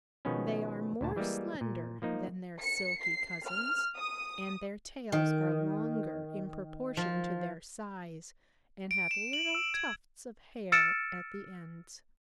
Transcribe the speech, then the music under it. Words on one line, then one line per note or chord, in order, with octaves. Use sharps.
They are more slender than their Silky cousins, and their tails are longer in proportion to their size and have little tufts of hair at the ends.
B2 D#3 F3 G#3 B3 C#4
D2 A#2 A5
E3 G3 G#3 A#3
A#2
F3 A#3 D#4
C#7
C7
F6
D#6
D#3
F3
D7
E7
F#7
E6
G#6
E6 F6 A6 C#7 D7 E7